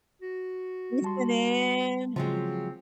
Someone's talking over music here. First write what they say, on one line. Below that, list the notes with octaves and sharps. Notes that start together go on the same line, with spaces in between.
listen in?
F#4
G3 A5 C6
C#3 F3 F#3 G#3 C4